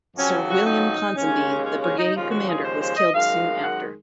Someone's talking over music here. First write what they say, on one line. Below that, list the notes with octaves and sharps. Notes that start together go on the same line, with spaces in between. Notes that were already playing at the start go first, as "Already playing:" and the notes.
Sir William Ponsonby the brigade commander was killed soon after.
F2 C#3 F#3 C#4
F#4
D#4
D#2 C#3 G#3 C#4
C#4
C#4
D#4
D#2 C#3 F3 G#3 F4
F#4
G#4
C5
C5
D#5
F#2 D#3 G#3 F5
F#5